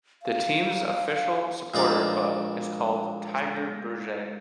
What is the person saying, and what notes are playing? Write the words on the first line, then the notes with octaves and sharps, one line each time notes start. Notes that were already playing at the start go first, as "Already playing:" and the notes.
The team's official supporter club is called "Tigerberget".
F5
A#1 G#3 D#4 D5 F5